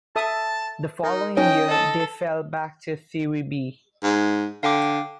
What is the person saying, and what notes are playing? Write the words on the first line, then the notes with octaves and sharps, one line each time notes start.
The following year, they fell back to Serie B.
A4 E5 A5 D#6
D#4 A#4
C#4 D#4 D#5 G5
A4
G#2
D3 F5 G5 D6